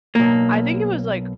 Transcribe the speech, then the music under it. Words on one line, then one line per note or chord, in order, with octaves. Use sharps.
I think it was like
B1 A#3